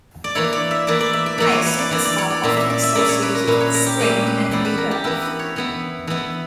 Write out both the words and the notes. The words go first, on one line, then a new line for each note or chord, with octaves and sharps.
Hyacinths are often associated with spring and rebirth.
D5
E3 A#3 E4 C#5
D5
E5
E3 A#3 E4 D5
D5
E5
D5
E3 A#3 E4 C#5
C#5
B4
D5
E3 A#3 E4 D5
D5
C#5
D5
A#2 A#3 C#4 E4 E5
E5
D5
E5
A#2 A#3 C#4 E4 D5
C#5
B4
A#4
A#2 A#3 C#4 E4 B4
C#5
A#4
G4
A#2 A#3 C#4 E4 G4
B4
E3 B3 E4 D5
B4
A#4
G4
E3 B3 E4 A#4
B4
C#5
E3 B3 E4
E3 B3 E4